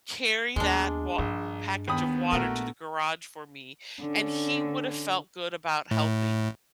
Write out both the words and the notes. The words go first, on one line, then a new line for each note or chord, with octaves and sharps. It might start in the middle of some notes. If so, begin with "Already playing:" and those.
carry that wa package of water to the garage for me, and he would've felt good about helping.
D#2 G#3 B3 D4
A#1 G2
D#2 B3 B5 D#6
A#1 A3 F#4 A#4
D3 C#4
A2